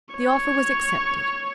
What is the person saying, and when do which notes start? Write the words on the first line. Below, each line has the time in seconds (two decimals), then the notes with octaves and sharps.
The offer was accepted.
0.15 C#5